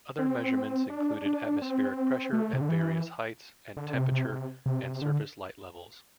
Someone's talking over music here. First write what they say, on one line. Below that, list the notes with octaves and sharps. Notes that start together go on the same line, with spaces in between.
Other measurements included atmospheric pressure at various heights, and temperature, and surface light levels.
C4
D4
D4
C4
A3
C3
D3
E3
D3
C3
C3
C3
C3
C3
D3